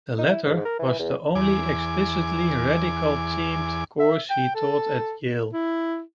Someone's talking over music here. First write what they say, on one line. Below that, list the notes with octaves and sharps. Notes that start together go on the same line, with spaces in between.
The latter was the only explicitly radical-themed course he taught at Yale.
D#4
E4
G#2
A#4
E3
E2
E2 G#5 D6
E5
G5
A4
E4